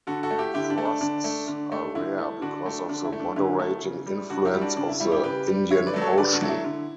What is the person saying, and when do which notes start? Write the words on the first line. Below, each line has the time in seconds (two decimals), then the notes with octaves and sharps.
Frosts are rare because of the moderating influence of the Indian Ocean.
0.07 D3 F#4 A4
0.23 F#4 A4
0.31 A3
0.38 E4 G4
0.54 D3 E4 G4
0.70 D4
0.78 A3
0.85 D4
1.01 D3 D4
1.24 A3
1.48 D3
1.72 A3
1.95 D3 E4
2.19 A3
2.42 D3 D4 F#4
2.66 A3
2.89 D3 D4
3.05 E4
3.13 A3
3.20 D4
3.36 D3 E4
3.59 A3
3.83 C#3
4.06 G3
4.30 C#3 D4 F#4
4.45 E4 G4
4.53 G3
4.61 D4 F#4
4.77 C#3 D4
4.89 E4
5.00 G3 E4
5.12 E4 G4
5.23 C#3 G4 B4
5.47 G3
5.71 D3 C#5 E5
5.86 B4 D5
5.94 F#3 A3
6.02 A4 C#5
6.18 D3 B4 D5
6.33 D4 F#4
6.41 F#3 A3
6.49 E4
6.64 D3